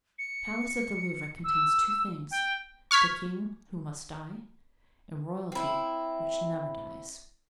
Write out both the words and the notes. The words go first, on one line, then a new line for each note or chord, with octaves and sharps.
The Palace of the Louvre contains two things--the king, who must die, and royalty, which never dies.
C#7
E6
G5
C#6 F6 G#6 B6
C4 E4